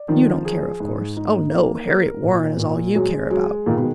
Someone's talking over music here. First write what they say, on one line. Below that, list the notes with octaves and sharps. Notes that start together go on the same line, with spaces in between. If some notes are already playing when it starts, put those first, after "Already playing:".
You don't care, of course. Oh, no! Harriet Warren is all you care about.
Already playing: D5
D#3 F3
G#4
G#2
D#4
A#3
A#4
A#2
A#2
F#3 G#3
F#3 G#3
A#2 D#3
B2